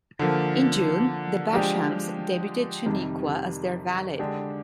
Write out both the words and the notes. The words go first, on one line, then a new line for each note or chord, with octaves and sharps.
In June, the Bashams debuted Shaniqua as their valet.
D3 F3 A#3
F3 G#3 D4 G4
F2 C3 D#3 G3
D3 G#3 D4 G4